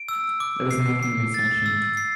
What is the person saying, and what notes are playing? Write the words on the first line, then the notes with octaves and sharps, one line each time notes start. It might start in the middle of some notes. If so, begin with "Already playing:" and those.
There was no criminal sanction.
Already playing: D7
E6
D6
C7
C7
A6
E6
C7